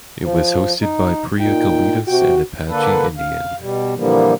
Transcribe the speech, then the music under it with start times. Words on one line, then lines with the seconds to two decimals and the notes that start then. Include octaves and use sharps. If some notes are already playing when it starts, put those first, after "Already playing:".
It was hosted by Preeya Kalidas and Apache Indian.
0.24 F3
0.81 D#4
1.40 A#2 D#4 G5
2.07 C3 F#4 G5
2.69 D3 A#3 D4 A4 B4
3.18 F5
3.60 B2 G3
3.96 A#2 D3 E3 F3 G3 A#3